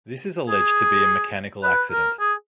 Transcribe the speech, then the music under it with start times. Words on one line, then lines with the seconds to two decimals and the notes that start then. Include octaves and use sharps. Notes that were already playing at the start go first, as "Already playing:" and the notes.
This is alleged to be a mechanical accident.
0.49 G#4
1.63 B4
1.91 A#4
2.20 G#4